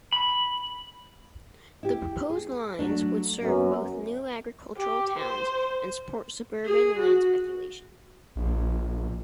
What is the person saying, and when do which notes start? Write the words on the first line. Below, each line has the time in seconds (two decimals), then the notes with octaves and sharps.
The proposed lines would serve both new agricultural towns and support suburban land speculation.
0.13 B5
1.83 E4 G4
2.30 G#4
2.79 F#3 A3 D4
3.42 F#2 A#3 B3
4.77 G4
5.18 C5
6.65 G#4
7.00 F#4
8.36 A#1